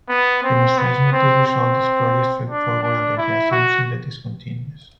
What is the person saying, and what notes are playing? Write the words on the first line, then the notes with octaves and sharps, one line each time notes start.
Demonstration of this result is fairly straightforward under the assumption that is continuous.
B3
C4
B3
C4
C4
D4
D4
E4
F#4